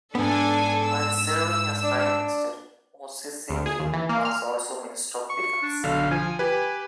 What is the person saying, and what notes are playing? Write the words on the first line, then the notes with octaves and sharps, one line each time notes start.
While serving as Prime Minister, Mosisili was also Minister of Defense.
G#2 B3 D4 A4 G#5
E6
D4
D2
G#4
D#2
E3
A#3
F6
C#6
D4
B1 D3 F5
F3 G#5
G4 B4 G#5